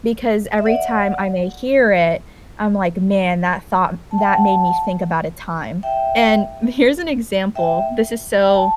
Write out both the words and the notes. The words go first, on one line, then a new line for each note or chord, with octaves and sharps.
because every time I may hear it, I'm, like, "Man that thought that made me think about a time," and here's an example, this is so
E5
D5 F#5
A5
G5
F#5 A5
E5 G5
E5 G5
G5
A5